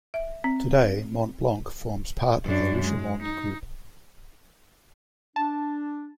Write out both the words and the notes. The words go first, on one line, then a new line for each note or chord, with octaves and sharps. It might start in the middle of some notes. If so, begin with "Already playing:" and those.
Today, Montblanc forms part of the Richemont group.
E5
C4
F#2 D4
G#3
D#4
D4 A5